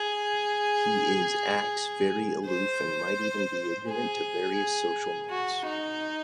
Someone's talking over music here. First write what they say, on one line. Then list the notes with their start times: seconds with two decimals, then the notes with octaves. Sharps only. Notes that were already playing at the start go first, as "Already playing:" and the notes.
He is acts very aloof and might even be ignorant to various social norms.
Already playing: G#4
2.46 C5
3.89 G#4
5.30 F#4
5.66 D#4